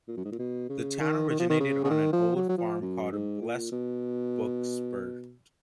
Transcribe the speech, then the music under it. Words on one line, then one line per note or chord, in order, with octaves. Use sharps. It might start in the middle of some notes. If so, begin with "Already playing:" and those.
The town originated on an old farm called "Blesbokspruit".
A#2
F#2
G#2
A#2
B2
C#3
D#3
D#3
F3
D#3
C#3
C#3
D#3
F3
F#3
F#3
F3
F#2
G#2
A#2
B2